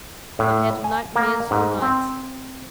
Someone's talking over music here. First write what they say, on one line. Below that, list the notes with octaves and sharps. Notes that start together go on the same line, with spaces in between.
"I've had nightmare all night!"
A2
G#5
A#3
G#2
C4